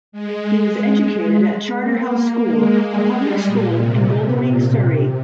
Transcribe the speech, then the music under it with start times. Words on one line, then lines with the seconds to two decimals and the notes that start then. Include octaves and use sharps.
He was educated at Charterhouse School, a public school in Godalming, Surrey.
0.12 G#3
0.46 G#3
1.79 A#3
2.46 G#3
3.12 G3
3.46 A#2
3.79 C3
4.45 A#2
4.79 C3